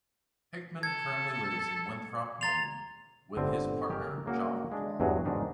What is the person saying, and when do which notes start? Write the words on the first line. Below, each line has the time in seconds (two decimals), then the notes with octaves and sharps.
Hickman currently lives in Winthrop, Maine, with his partner, Jop Blom.
0.83 A4 G#6
2.41 A#5 C6 A6 F7
3.37 G1 D3 C4 E4
3.90 G4 G#4 A#4
4.26 C#3 A#3 F#4
4.72 G#3 D4
5.00 E2 G2 F#3 G#3 F#4 G#4
5.25 G#2 D#3 D4 D#4